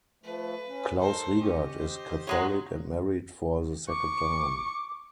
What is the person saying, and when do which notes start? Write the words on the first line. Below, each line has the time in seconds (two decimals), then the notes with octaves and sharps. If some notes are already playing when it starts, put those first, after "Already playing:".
Klaus Riegert is Catholic and married for the second time.
0.24 F3 A3 B4
0.68 C#4
0.99 D#4 A4 A#4 C5
1.39 C#4 G4 D#5
1.78 C5
2.27 F#3 G#3 C#5
3.89 C#6 D6